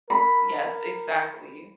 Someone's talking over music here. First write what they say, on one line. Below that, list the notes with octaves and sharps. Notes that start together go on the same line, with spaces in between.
Yes, exactly.
A#4 B5